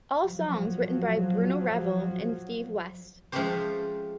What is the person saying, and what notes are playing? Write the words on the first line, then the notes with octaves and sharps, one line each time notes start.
All songs written by Bruno Ravel and Steve West.
F3 F#3
F3 G#3 A3 C#4 G4 C5